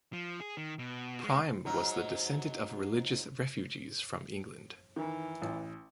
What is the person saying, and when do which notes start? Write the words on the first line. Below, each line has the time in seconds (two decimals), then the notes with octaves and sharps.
Prime was the descendant of religious refugees from England.
0.13 F3
0.41 G#4
0.57 D#3
0.79 B2
1.24 G#3
1.66 G#2 F#3
4.96 D#3 E3
5.42 A1